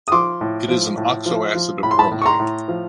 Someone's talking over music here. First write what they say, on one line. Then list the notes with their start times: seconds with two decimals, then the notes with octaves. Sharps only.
It is an oxoacid of bromine.
0.08 D#6
0.12 F3 C6 D6
0.41 A2
0.68 F3
0.97 A2
1.26 F3
1.55 F3
1.83 A2 B5
1.91 C6
1.99 A5 B5
2.11 A2
2.22 C#6
2.26 A#5 C6
2.40 A2
2.68 F3